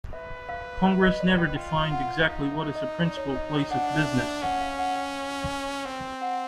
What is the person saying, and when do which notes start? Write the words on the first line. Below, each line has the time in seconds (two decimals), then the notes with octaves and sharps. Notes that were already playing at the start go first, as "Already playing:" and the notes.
Congress never defined exactly what is a principal place of business.
0.13 B4 E5
0.49 F5
0.85 E5
1.02 D#5
1.20 D5
1.38 G5
1.56 F4 G5
1.92 F#5
2.27 D#4 F5
2.52 E5
2.75 D#5
2.99 D5
3.17 C#5
3.35 D#5
3.53 G5
3.70 D4 F#5
3.95 E5
4.18 E5
4.42 C#4 F#5
4.60 F5
4.78 F#5
4.96 G5
5.50 G#5
5.85 C4 G5
6.21 F#5